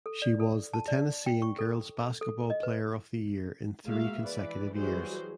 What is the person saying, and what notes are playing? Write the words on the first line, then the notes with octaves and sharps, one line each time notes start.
She was "The Tennessean" girls basketball player of the year in three consecutive years.
A4
D5
A4
A5
D5
G5
C#6
A4
A4
D#5
B4
G#3 A#3 F#4 E5 F5
E3 B4 D5
E3 F#3 G3 F#4 G#4 C5